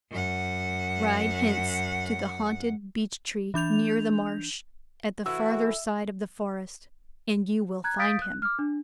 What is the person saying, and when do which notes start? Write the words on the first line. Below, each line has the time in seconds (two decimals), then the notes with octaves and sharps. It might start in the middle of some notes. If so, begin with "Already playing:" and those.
"Ride hence to the haunted beechtree near the marsh, at the farther side of the forest, and you will find him."
0.11 F#2 F#5
3.54 E3 D4 G6 F7
5.26 A2 E3 E4 F#4 E5 E6
7.84 A#5 F#6 G#6
7.99 F5 D#6 G6 A6 B6 D7
8.22 F#6
8.42 D6 F6
8.59 D4